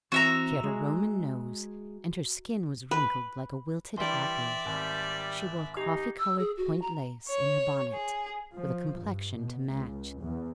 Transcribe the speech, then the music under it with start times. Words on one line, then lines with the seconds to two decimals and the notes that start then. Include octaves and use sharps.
She had a Roman nose, and her skin was wrinkled like a wilted apple; she wore coffee-coloured point-lace in her bonnet, with a complexion to match.
0.12 E3 C4 F#4 E5 A#5
0.64 G#3 G#4
2.91 B4
3.98 E3 G3 D4 D5 E5 G5 C6
4.65 G#1 G3
5.77 D#4 G4
6.19 E6
6.39 G#4
6.57 F#4
6.82 A#5
7.28 C#5
7.93 G#4
8.55 F3
8.99 G2
9.38 B2
9.70 C#2
10.21 E2